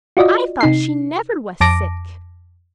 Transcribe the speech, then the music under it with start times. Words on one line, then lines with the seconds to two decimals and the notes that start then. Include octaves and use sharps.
"I thought she never was sick."
0.17 F4 F#4 D5 D#5
0.61 C3 D#4 C7
1.61 F2 A5 D6 A#6 D7